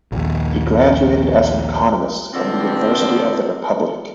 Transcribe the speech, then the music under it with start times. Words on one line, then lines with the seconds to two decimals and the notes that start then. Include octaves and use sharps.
He graduated as an economist from the University of the Republic.
0.12 A#1 D#2
2.33 E2 B2 D3 F3 C4